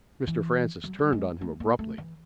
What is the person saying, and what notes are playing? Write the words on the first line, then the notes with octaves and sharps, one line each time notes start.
Mr. Francis turned on him abruptly.
E3
F#3
G3
G#3
A3
A#3
A3
E3